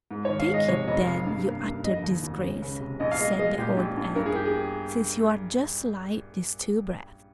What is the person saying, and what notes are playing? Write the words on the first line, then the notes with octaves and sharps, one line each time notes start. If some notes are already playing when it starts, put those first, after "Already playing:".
'Take it, then, you utter disgrace!' said the old hag, 'since you are just like these two brats.'
G#2
D#3 C#5
F5
G#3 D#5
C3 C#5
F1 D#5
C3 F5
G2
A#3
G2
F1 D#5
D#2
F1
C#4
C#2
C3
A#1 D#5
F5
G#3 D#5
G#3 D#5
A#2 G4
A#1
A#1
G2 A#4
G#4
G2 G4
G#4